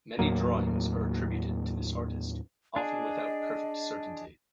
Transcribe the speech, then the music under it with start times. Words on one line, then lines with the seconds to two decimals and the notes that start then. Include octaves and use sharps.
Many drawings are attributed to this artist, often without perfect certainty.
0.19 D#2 A2 F#3 A#3
2.76 D4 G#4 D#5